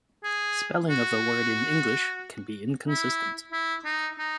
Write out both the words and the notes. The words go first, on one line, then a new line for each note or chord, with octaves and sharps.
Spelling of the word in English can be inconsistent.
G#4
F#4
E4
E4
D#4
D#4